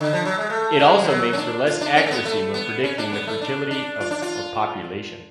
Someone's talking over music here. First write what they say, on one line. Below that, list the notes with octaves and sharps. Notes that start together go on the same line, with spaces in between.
It also makes for less accuracy when predicting the fertility of a population.
D3
F3
F#3
G#3
A3
G#3
F3
F#3
C#4
D4
F4
D4
C#4
A3
B3
A3
B3
C#4
D4
B3
A3
D4
D4
F4
D4
F4